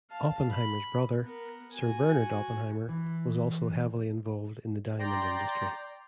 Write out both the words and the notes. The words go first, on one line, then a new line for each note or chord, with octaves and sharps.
Oppenheimer's brother, Sir Bernard Oppenheimer, was also heavily involved in the diamond industry.
F5 A5
B5
B3 A#4
F#4 G#5
E3
D5 G5 A#5 C6